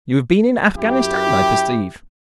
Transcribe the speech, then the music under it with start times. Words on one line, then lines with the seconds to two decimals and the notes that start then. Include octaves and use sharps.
"You have been in Afghanistan, I perceive."
0.78 F#2 E4 G4